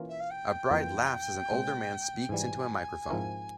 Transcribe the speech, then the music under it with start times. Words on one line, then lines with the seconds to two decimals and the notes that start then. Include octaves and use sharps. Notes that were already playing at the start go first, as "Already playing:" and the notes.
A bride laughs as an older man speaks into a microphone.
Already playing: E3 A#3 C#4 F4 A#4
0.09 E5
0.20 F5
0.30 G5
0.70 F2 E3 A#3 F4 A#4
1.51 A#2 G#3 C4
2.29 G#2 E3 G3 G#5
3.10 G#2 F3 C4 E4 A#4